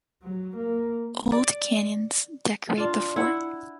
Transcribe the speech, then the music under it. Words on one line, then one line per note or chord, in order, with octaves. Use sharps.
Old cannons decorate the fort.
F#3
A#3
D5
D4 F4
E4 F#5